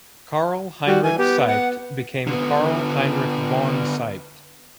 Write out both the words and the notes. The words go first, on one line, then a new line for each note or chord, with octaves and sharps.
Karl Heinrich Seibt became Karl Heinrich von Seibt.
G3 F#4
E3 G#5
B3 G4
F#5
D3 B3